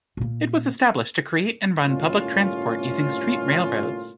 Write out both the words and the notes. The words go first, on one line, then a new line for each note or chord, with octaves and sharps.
It was established to create and run public transport using street railroads.
A#2 A#3
G1 A2 C3 A#3 C#4 F4